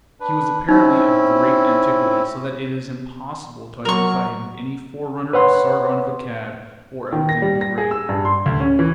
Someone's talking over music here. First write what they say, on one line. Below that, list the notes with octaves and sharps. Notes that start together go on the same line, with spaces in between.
He was apparently of great antiquity, so that it is impossible to identify him with any forerunner of Sargon of Akkad, or Alexander the Great.
D4 B4
C4 C#4 D#4 E4
F#3 A#4 C#6
B4 C#5 F#5 C6
D#3
A#6
G3
A#6
G#4
E6
G2
C6
D2
C#4
E3